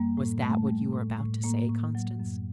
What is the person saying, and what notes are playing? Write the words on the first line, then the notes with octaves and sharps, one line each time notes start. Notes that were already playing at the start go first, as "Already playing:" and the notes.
"Was that what you were about to say, Constance?"
Already playing: F#2 G3 A#3
A2
G3 A3
G3
A2
A2
A2 A#3
A2
F#3
F#2